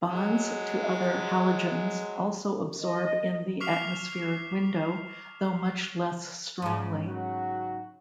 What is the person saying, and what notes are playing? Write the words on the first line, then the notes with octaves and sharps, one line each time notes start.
Bonds to other halogens also absorb in the atmospheric window, though much less strongly.
F#3 G#3
D#5
C#6 D6 F6 B6 C7 F7
G#2 C#3
F#3 F#4